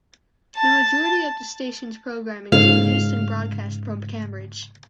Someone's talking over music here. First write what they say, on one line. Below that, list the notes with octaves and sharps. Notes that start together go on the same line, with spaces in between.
The majority of the station's programming is produced and broadcast from Cambridge.
A5
G#2 C#3 F5